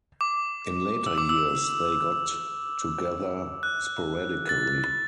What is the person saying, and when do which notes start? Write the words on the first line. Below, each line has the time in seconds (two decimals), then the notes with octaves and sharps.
In later years they got together sporadically.
0.21 D6
1.06 E6
1.18 D6
1.29 E6
3.63 F#6
4.49 A6